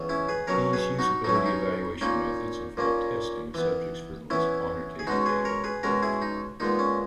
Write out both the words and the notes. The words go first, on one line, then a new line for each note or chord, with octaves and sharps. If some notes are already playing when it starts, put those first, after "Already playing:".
These usability evaluation methods involve testing of subjects for the most quantitative data.
Already playing: C#3 E3 B3
C#4 E4
G#4 B4
B2 F#3 C#4 A#4 C#5
G#4 B4
D#4 F#4
B2 F#3 C#4 D#4
E4
D#4
A#2 A#3 C#4 D#4
A#2 A#3 C#4
E3 B3
E3 B3 C#4 E4
G#4
B2 G#3 C#4 D#4 F#4
G#4 B4
A#4 C#5
G#4 B4
B2 G#3 C#4 F#4 A#4
E4 G#4
D#4
A#2 G#3 B3 D#4
C#4